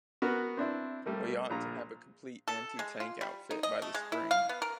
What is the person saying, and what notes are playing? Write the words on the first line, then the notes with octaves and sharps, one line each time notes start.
We ought to have a complete anti-tank outfit by the spring.
B3 F#4 A#4 F#5
C4 D4 E4
G3 A3 A#3
A#1 A#2 A#5
A4
G#3
F4
G3
D#4
D#5
A3
G#3
E4
F5
B3
A#4